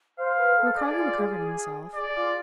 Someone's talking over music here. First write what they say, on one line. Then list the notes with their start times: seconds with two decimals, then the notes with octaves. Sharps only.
Ricardo recovered himself.
0.18 C5 F5
0.38 B4
0.57 A4
0.78 G#4 D5
0.97 F4
1.16 G#4
1.95 G#4 D5
2.15 F4